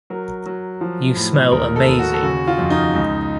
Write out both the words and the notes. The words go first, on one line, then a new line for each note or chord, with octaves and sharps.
You smell amazing.
F#3 A#4
F#3
F3
A2
D#2 A#4
A4
D#2
F#4
A4
C#3 F#4
F4
F2
D#4
C#2